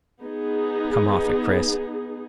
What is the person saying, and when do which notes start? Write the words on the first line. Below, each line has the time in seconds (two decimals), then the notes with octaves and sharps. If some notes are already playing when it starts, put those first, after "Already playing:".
"Come off it, Chris!"
0.23 B3 D#4 G#4